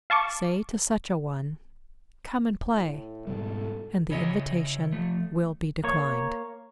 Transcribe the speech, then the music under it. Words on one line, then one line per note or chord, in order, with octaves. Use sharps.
Say to such a one, "Come and play," and the invitation will be declined.
F5 A5 C#6 D6
A2
G#2 B2 G3 A4
C#3 E4 C#5 D#5 E5
F3 A3
A#3 C#5